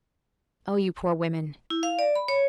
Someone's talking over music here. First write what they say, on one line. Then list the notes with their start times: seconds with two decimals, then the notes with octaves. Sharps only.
O you poor women!
1.70 E4
1.83 F5
1.99 D5
2.16 B5
2.28 C#5